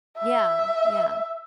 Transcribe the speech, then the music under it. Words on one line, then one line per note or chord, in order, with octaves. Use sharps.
Yeah, yeah.
E5